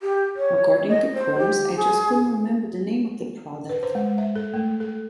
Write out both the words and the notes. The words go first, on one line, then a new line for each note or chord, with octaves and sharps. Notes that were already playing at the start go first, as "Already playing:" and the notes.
According to Coombs: I just couldn't remember the name of the product.
G4
C#5
D#5
C5
G4
G#4
B4
C5
G#3
E5
A4
A3
A4